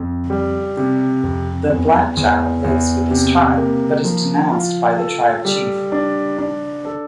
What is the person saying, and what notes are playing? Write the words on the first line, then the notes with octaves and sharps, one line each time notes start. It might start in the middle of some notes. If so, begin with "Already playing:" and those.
The "black child" lives with his tribe, but is denounced by the tribe chief.
Already playing: F2
G3
C3
F2
E2
E2
E2
C3
A#3
F3
F4
A4
G3
D4
D4
A4